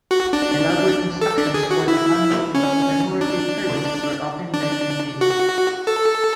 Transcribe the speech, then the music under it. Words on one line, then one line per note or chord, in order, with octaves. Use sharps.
Elaborate instructions for the conduct of the commemorative service were often left in wills.
F#4
D4
A4
D4
G#4
F#4
E4
C#4
D4
D4
F#4
A4